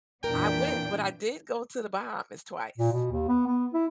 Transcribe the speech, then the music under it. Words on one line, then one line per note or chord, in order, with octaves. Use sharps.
I went but I did go to The Bahamas twice,
F2 A#2 E3 B3 D4 A#4 G5
A#2
B2
D#2
B3
B3
E4